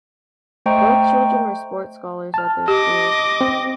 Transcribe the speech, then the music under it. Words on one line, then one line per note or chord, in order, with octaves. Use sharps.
Both children were sports scholars at their schools.
A3 C5 D#5 G5 A#5 C#6
A5 F6
G4 D#5 D6
C4